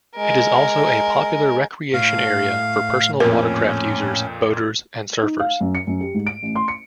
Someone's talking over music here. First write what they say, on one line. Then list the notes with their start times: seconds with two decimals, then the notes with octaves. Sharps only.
It is also a popular recreation area for personal watercraft user, boaters, and surfers.
0.16 G#3 A#4
1.94 A2 F5
3.20 F2 A#2 C#4 A#4
5.23 D#4
5.40 F5
5.61 F#2
5.75 C#7
5.87 F#2
6.01 G4
6.14 G#2
6.27 D7
6.43 A1
6.55 C6
6.68 C#7